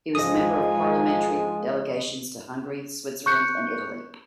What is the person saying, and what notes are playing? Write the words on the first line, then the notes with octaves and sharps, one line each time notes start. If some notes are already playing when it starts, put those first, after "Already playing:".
He was a member of parliamentary delegations to Hungary, Switzerland and Italy.
G#2 F3 G#3 D#5 G#5 D#6
C#6 F#6 G6 C#7